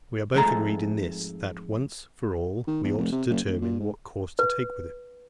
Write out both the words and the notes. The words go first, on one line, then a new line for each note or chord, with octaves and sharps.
We are both agreed in this, that, once for all, we ought to determine what course to take with him.
F2 G#2 G#3 A3 F4 A#5
D#3
E2
F1
C3
F#1
D#1
A#2
G#2
B4